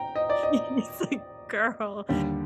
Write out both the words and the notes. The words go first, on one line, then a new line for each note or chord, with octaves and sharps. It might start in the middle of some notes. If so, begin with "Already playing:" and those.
he's like, "Girl,
Already playing: G5 A#5
D#5
D5
D#5
D#2 D3 G3